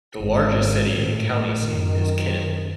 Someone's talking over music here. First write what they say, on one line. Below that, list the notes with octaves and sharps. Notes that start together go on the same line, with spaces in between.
The largest city and county seat is Kennett.
G#1
A2
F#2 D#3